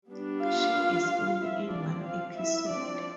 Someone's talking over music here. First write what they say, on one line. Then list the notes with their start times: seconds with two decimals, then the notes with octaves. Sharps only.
She is only in one episode.
0.09 G3 B3 D4
0.41 F4 F5
1.39 F3 C4 E4 E5
1.72 D4 D5
2.05 F4 F5
2.38 E4 E5
2.70 F3 C4 D4 D5